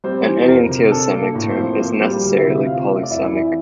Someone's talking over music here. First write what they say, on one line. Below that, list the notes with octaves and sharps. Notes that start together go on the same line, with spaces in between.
An enantiosemic term is necessarily polysemic.
G3 C4 C5
E3
F2 A#4
C3
D4 A4
A#3
A2
C4 C5
F3
A#3 C4 C5
G3
D2
E4 E5
C3
C4 F4 F5
A3
E5
D5
F2 E4 E5
E4 E5
E3